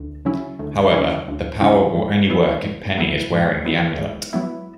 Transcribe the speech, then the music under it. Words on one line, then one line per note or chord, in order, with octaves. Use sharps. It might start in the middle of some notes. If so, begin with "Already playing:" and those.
However, the power will only work if Penny is wearing the amulet.
Already playing: D2
C#3 F#3 C#4 E4
D2
C#3 F#3 C#4 E4
D2
C#3 F#3 C#4 E4
G#2
F#3 B3 E4
G#2
F#3 B3 E4
G#2
F#3 B3 E4
G#2
F#3 B3 E4